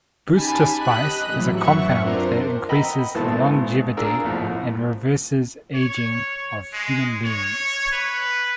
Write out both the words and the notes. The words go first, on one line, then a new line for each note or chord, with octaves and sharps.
Boosterspice is a compound that increases the longevity and reverses aging of human beings.
C#4 D#4 G4 G#5 A5 B5
G4 D#5 B5 F#6
A1 A2 E3 F#3
F#2 E3 E5 F#5 C#6 C#7
C4 D4 F4 A#4 C5
D#5 F#5 G5 A#5 B5 E6
G#1 B2 E3 A4 C5 A5
G#1
D4 F4 G#4 A#4 E6
C2 F2 A2
C#5
G#3
C#5
B4